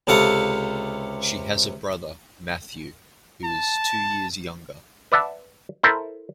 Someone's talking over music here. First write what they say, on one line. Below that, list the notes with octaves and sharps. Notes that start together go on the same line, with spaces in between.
She has a brother, Matthew, who is two years younger.
C#2 C3 A4 F5 F#5 B5
A5
B4 D5 E5 F#5 A5
E4 A4 A#4 C5